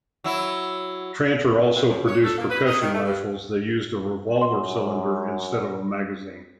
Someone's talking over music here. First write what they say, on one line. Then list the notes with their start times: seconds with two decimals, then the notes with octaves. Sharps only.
Tranter also produced percussion rifles that used a revolver cylinder instead of a magazine.
0.24 F#3 E4
1.76 C3
1.89 F#2
2.08 C#5
2.24 A4
2.38 A#3
2.50 B4
2.67 D#5
2.81 D#3
2.94 A3
3.05 G2
4.41 F#2 C6